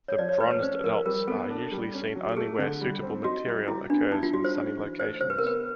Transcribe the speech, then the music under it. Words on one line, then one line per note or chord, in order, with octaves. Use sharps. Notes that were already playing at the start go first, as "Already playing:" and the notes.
The bronzed adults are usually seen only where suitable material occurs in sunny locations.
C#5
F3 D5
C#5
A3 B4
B4
C#4 C5
F3 A#4
G3 A#4
B3 A4
D4
G3
C#4
F#3
A4
A3 G#4
D3
G3
C4
D#4 F#4
G3
E4 G4
B3 D4
D#4 E4
F4
G3 F#4
C5
C#4
E3
A3 C5
C3 C5
B4
A#4
B3 B4